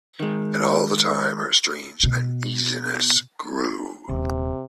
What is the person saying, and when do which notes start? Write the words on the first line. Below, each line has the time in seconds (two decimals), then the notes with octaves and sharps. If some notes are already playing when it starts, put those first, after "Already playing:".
And all the time her strange uneasiness grew.
0.20 D#3 G#3
2.03 B2
4.09 D#1 C3